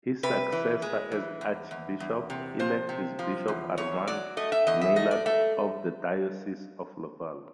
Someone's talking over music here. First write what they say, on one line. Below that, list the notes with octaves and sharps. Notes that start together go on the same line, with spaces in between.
His successor as Archbishop-elect is Bishop Armand Maillard of the Diocese of Laval.
C3 B4
E3
G#3
E3
E2
E2
E2
C3
F3 C5
C3
F3
E2
E2 C#5
F#3 D5
A3 D#5
E5
E2 D#5
E5
A3 D#5
D5
A3 E5